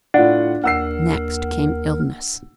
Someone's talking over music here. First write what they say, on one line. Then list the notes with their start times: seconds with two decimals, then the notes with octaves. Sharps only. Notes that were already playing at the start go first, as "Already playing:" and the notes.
Next came illness.
0.14 A2 D4 F4 F#5
0.64 D#2 A#4 F#5 E6 C7